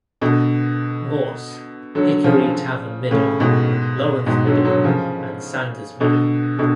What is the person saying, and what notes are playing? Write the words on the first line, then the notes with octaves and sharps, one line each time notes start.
Morse, Hickory Tavern Middle, Laurens Middle, and Sanders Middle.
B2 D3
D3 F#3
C#3 F3
A2 C#3
G#2 B2
G#2 B2
D3 F#3
D3 F#3
C#3 F3
B2 D3
B2 D3